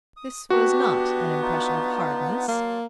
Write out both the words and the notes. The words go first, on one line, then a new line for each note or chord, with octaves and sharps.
This was not an impression of hardness.
D#6
B3 D4 F#4 G4
D4 D#4 F4
F#3 A#3 A5 C6